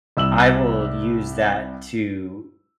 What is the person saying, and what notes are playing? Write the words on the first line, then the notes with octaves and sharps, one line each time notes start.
I will use that to
C2 E6 F#7